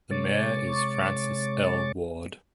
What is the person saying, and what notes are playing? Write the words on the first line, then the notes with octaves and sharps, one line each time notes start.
The mayor is Frances L. Ward.
C3 G#3 C#5 C#6 D6 A6